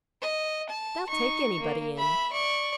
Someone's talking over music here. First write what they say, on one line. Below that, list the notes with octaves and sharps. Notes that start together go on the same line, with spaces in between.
They'll take anybody in.
D#5
A5
D#4 C#6
A#3
E5 B5
D5 C#6